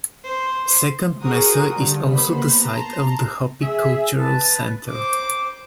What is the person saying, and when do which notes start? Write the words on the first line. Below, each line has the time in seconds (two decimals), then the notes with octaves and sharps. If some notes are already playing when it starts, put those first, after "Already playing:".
Second Mesa is also the site of the Hopi Cultural Center.
0.24 C5
1.21 F#4 G#4 A#4 C5 D#6
1.74 G2 D3
2.09 D#2 B3 C5 B5
2.59 A5 A#5 C6
3.60 G#4 E5
4.18 B4 A5
4.89 C5 D6